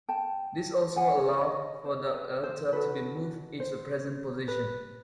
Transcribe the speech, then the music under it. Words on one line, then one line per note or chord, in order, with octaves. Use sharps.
This also allowed for the altar to be moved to its present position.
G5 A5
F#5 G#5
C#5
D5
C#5 D#5
C5
B4
C5
D#4 F#4 A4 B4
C5
B4